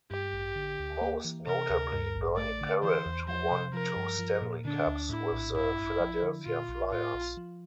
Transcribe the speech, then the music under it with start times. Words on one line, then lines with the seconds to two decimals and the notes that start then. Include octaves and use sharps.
Most notably Bernie Parent, who won two Stanley Cups with the Philadelphia flyers.
0.11 G2 G4
0.33 A1
0.56 D3
0.79 D2
1.01 A#3
1.25 E3
1.47 C3 A#4
1.70 D2
1.93 G2
2.16 A1
2.37 A3 D5
2.61 D3
2.83 E3 C5
3.06 E2
3.28 F3 C5
3.51 C3
3.74 F3 A#4
3.96 G2
4.19 F3
4.42 A#2
4.65 D3 D4
4.87 D2
5.09 A2 E4
5.32 A#1
5.55 G2 E4
5.78 A1
6.00 F3
6.23 D3
6.46 A#2 F4
6.69 A#1
6.91 A2 F4
7.14 A#1
7.37 F3